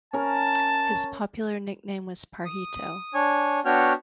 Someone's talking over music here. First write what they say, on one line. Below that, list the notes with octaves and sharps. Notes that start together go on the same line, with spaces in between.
His popular nickname was "Pajarito".
C#4 A#4 A5
D#6
D4 C#5 G#5
B3 D4 F#4 C#5 G5 F6